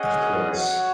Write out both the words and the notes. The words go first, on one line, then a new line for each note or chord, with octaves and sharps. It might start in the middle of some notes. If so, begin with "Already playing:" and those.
Of course.
Already playing: C#4 G#4 D#5 F#5
F#4 C#5 F#5